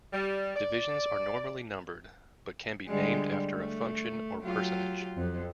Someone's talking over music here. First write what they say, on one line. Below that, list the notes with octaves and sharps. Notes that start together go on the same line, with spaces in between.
Divisions are normally numbered, but can be named after a function or personage.
G3
D5
D3 G3 G#3
A3
F#3 F4 G4
F2